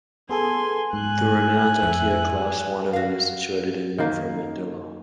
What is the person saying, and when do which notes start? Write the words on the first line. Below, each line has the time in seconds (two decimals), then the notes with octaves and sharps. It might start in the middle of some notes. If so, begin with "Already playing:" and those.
The renowned Achaia Clauss winery is situated in Mavromandila.
0.29 B3 G#4 A4 G#5 C6
0.93 G#2 G#5 F#6
1.82 F2 E5
2.93 F#4 F5
3.98 D#3 A#3